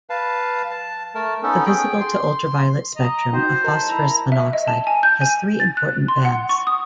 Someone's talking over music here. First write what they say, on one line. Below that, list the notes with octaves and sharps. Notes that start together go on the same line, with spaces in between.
The visible to ultraviolet spectrum of phosphorus monoxide has three important bands.
B4 F5 A5
A5
A3 A#4 A5
B3 C#4 D#4 A4
G#4 G5
C6
D#5 A#5
D#4 F#4 C5 G5
A#4 D#5 A5
E4 A#5
E5
D#5
A5
G#5
G6
G#5
A6
F#6
C6
F#5
C#6
D#6